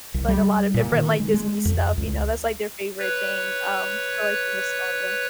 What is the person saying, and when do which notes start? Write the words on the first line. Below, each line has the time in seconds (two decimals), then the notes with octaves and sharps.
like, a lot of different, like, Disney stuff, you know, that's, like, their favorite thing, um, for, like, the nostalgia.
0.14 C2
0.28 G3
0.74 A#2
0.92 D#3
1.20 G#3
1.34 G#3
1.65 F2
1.97 C#2
2.99 B4 C#5